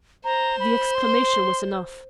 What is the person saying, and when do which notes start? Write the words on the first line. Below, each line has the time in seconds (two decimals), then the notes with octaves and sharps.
The exclamation was enough.
0.24 C5 A#5
0.60 B5
0.95 C6